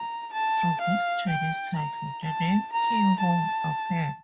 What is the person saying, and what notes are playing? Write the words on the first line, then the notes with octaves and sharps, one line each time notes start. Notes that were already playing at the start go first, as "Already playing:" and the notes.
From this Chinese title, the name Kew Ho appeared.
Already playing: A#5
A5
F5
G5
A#5
A5
A#5
A5